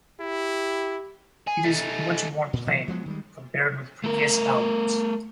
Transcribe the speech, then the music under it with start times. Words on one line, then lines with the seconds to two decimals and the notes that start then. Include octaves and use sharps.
It is much more plain compared with previous albums.
0.20 E4 G4
1.47 G#4
1.64 A3 D#4
2.53 A#2
2.67 B2 E3 F#3
2.88 F3 F#3 G#3 B3
3.06 D#3 G3 G#3
4.04 A3 A#4